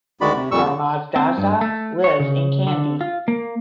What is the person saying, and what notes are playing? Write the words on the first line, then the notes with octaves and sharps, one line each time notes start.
Dharmadasa lives in Kandy.
D2 D#3 G#3 F#4 D5 B5
C3
F2 A#2 G3 C#6 E6
C#3
C4
G2
A3
C#5
C#3
D3
F4
A#3